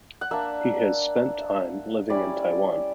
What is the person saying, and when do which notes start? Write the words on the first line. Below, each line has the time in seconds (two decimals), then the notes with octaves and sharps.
He has spent time living in Taiwan.
0.21 F#5
0.31 A#3 D4 E5
2.10 G3 C#4 E4 D5